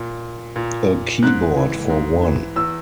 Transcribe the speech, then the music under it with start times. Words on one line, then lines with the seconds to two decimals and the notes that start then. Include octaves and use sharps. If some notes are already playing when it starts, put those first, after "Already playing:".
A keyboard for one.
Already playing: A#2
0.56 A#2
1.22 G#2 F#6
1.56 E3
1.89 G#2
2.23 E3
2.56 E2 E6